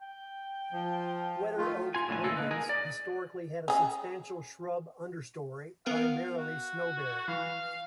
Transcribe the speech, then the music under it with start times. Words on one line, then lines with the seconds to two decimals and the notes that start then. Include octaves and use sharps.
Wetter oak woodlands historically had a substantial shrub understory, primarily snowberry.
0.02 G5
0.72 F3
1.57 D#3 A3 F4
1.95 F4 G#5
2.08 A2 D3 A3 G#5
2.23 C#2 A#2 E3 A#3 A4 G#5
2.37 A#3 D#4 B4
2.51 G#4 A#4 G#5
2.69 D5
3.68 C#4 G#4
5.86 B3 A#4 F5 F#5
6.38 F#4
7.28 E3 F5